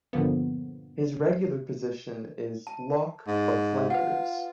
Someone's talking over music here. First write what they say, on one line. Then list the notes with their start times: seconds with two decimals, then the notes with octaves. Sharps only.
His regular position is lock or flankers.
0.13 G2 A#2 D3 F3 A#3 B3
2.67 A5
3.28 G#2
3.90 F4 B4 F#5